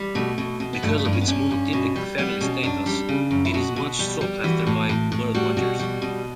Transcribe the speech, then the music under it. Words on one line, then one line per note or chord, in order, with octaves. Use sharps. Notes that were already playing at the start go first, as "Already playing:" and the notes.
Because of its monotypic family status it is much sought after by birdwatchers.
Already playing: G3
B2 A3
B2
B2
B3
G2 A3
A3
G2
C#4
B3
G2 C#4
G2
B2
G3
G3 B3
B2 C#4
F#2 D4
G3
C#3
F#2
E4
B2 F#4
B2
G3
G3
E3 F#4
A2
A2
A2
G3 F#4
B2 F#4
G3
B2